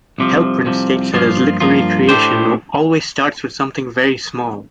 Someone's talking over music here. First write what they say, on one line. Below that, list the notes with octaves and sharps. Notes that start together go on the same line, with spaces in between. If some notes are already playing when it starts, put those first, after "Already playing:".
Helprin states that his literary creation "always starts with something very small".
C2 C3 F3
C2 C3 F3
G2 F3 A#3 F4
G2 F3 A#3 F4
A2 A3 D4 G4 C5